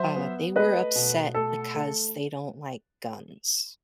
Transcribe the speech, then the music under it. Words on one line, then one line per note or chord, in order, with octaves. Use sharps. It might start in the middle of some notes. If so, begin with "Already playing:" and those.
Uh, they were upset because they don't like guns.
Already playing: F#3 C5 E5
B3
A3 B4 D#5
B2
A3 A4
A3